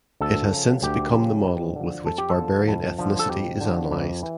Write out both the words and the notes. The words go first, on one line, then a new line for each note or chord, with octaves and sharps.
It has since become the model with which "barbarian" ethnicity is analyzed.
D2 A4
C#3 F3
D2 G4
C#3 F3
F2
D3 F3
F2 A4
G4
A4
D3 F3
F2
D3 F3
A4
F2 G4
D3 F3
F2
E3